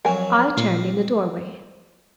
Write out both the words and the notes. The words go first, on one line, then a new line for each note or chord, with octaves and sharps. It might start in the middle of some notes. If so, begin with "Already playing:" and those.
I turned in the doorway.
F2 F#3 A#4 G#5
A#2 C4